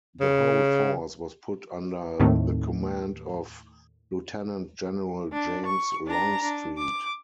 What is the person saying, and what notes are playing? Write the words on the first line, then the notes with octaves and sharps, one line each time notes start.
The whole force was put under the command of Lieutenant General James Longstreet.
C#3
D#2 A2 D#3 A3 C4
D4
C#6
D4 A#5
D4
D6